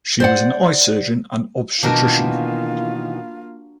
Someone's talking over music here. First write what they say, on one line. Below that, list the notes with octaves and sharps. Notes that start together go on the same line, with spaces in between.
She was an eye surgeon and obstetrician.
C5 D5 F#5
B2 D#3 E3 A#3 D4 F4 F#4 A#4